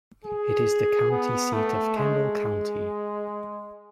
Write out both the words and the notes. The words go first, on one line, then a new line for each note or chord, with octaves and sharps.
It is the county seat of Kendall County.
G#4
B3
A3
G#3